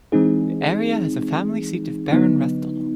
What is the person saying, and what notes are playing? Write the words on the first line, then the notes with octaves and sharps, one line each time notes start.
The area has the family seat of Baron Rathdonnell.
E3 G#3 C4 D#4 G#4
D3 F#3 B3 D#4